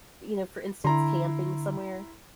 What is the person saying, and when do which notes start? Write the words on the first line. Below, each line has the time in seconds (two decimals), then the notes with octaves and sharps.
you know, for instance, camping somewhere?
0.85 D3 E4 A#5 C6